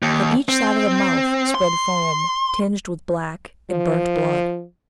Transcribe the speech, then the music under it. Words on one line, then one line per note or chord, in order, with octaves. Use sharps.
From each side of the mouth spread foam, tinged with black and burnt blood.
D#2
C4
C6
F3